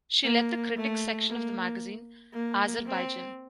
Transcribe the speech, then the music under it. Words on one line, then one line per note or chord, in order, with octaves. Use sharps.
She led the critics section of the magazine "Azerbaijan".
A#3
A3
A#3
A#3
C4